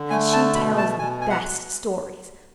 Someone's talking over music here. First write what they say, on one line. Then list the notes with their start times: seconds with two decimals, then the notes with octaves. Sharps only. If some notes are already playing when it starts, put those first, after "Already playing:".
And she tells the best stories.
Already playing: D3
0.10 A3 G#5
0.33 A5
0.55 B2 B5
0.78 A5
0.99 B2 G#5
1.21 G#5
1.30 F#5